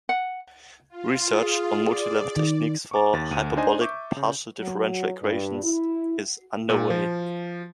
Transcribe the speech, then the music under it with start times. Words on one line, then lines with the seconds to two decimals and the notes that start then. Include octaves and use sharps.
Research on multilevel techniques for hyperbolic partial differential equations is underway.
0.09 F#5
0.90 F4
1.39 G#4
1.77 D5
2.36 D#3
2.91 C#6 D6 A6
3.13 D#2 A6
3.31 D2 D#7
3.56 D4 D#4 C5 D#5 G#5
3.80 E5 C#6 D6 G6
4.17 C#3
4.60 F#3
5.22 G2
5.63 E4
6.69 A#2
6.90 F3